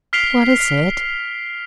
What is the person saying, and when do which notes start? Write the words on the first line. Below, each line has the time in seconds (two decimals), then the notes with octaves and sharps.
"What is it?"
0.13 F6 B6 C7 D7 F7 G7